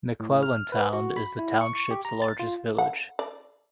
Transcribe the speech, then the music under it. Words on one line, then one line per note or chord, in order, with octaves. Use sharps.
McClellandtown is the township's largest village.
A2
F6
B4
F#4
B5
E4
C#6
C#6
G4
A#5
A6
F4
F#5
D5